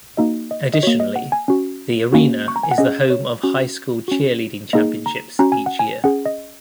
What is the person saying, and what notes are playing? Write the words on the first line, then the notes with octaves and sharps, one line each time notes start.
Additionally, the arena is the home of high school cheerleading championships each year.
A#3 D#4 F#4 D#5
D#5
D#5
A#3 F#4 C#5
D#5
F#5
G#5
C#4 F#4
A#3 C#4 F#4
C#6
A#5
G#5
F#5
C#4 G#4 D#5
C#5
C#4 F#4
C#4 F#4
A#3 D#4 G#4 D#5
A#5
C#4 F#4 A#5
G#5
F#5
G#5
C#4 G#4 F#5
D#5